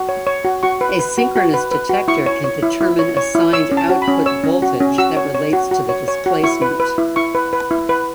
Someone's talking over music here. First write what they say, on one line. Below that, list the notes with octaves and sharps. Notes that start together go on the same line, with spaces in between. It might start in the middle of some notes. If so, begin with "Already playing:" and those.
A synchronous detector can determine a signed output voltage that relates to the displacement.
Already playing: F#4
C#5
C#5
F#4
F#4 C#6
B4
B4
F#4
F#4
B4
B4
F#4
E4 C#6
C#5
C#5
E4
E4
C#5
C#5
E4
C#5 E6
C#4
A5
F#4
B5
C#4
C#5 E6
C#4
F#4
C#4
F#4 E6
C#5
C#5
F#4
F#4
C#5
C#5
F#4
E4 C#6
B4
B4
E4
E4 C#6
B4
B4
E4
B4